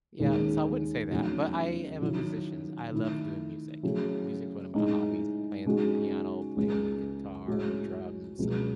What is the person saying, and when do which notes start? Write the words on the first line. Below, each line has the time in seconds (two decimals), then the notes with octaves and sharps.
yeah, so I wouldn't say that, but I am a musicians, I love doing music. Music is one of my hobbies, playing the piano, playing the guitar, drums,
0.20 D#2 D#3 G#3 C#4 G#4
1.10 E2 C#3 F#3 A3 D#4
2.01 D#3 F#3 C#4 E4
2.93 D#3 A3 E4
3.83 C#3 F#3 A3 E4 G#4
4.74 A2 G#3 D#4
5.66 C#3 G#3 D#4 F#4
6.57 C#2 C#3 G#3
7.47 A2 G#3 C#4 F#4
8.38 C#2 B2 F#3